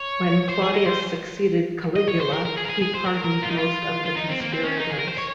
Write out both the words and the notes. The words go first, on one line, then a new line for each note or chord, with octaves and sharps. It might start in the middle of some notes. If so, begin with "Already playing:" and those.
When Claudius succeeded Caligula, he pardoned most of the conspirators.
Already playing: C#5
C5
G#4
D#5
C5
D#5
C#5
C5
A#4
A#4
G#4
A#4
G#4
G#4
C5
A#4
A#4
F4
D#4
F4
F4
D#4
C4
A#3
C4
C#4
D#4
G#4
A#4
C5
C#5